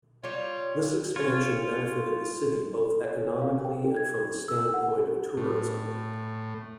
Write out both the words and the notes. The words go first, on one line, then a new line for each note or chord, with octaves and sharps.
This expansion benefited the city both economically and from the standpoint of tourism.
G3 F4 C#5
F4 C#5
C#5
F5
G5
G#6
E6
F#5
G4
A2